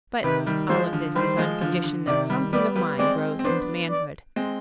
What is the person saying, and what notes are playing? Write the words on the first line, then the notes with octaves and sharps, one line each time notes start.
But all of this is on condition that something of mine grows into manhood.
C3 D#3 B4
D#3 G3
F3 G#3 C5
D3 F3
D#3 G3 C5
F3 G#3
D3 F3
D3
C3 D#3 D5
D#3 G3
G3 B3 D5
G3 B3
G#3 C4 D5
C4
B3 D4 C5
D5
G#3 C4